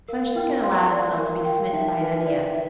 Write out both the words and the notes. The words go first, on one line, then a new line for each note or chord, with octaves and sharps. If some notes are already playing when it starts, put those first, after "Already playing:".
Von Schlichten allowed himself to be smitten by an idea.
A#4 F5
G5
C6
D5
A#4
G5
D#4 E5
B4
D5